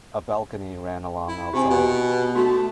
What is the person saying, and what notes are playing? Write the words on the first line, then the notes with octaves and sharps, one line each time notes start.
A balcony ran along outside.
E4
C3 G4 G#5
B2
A3 F#4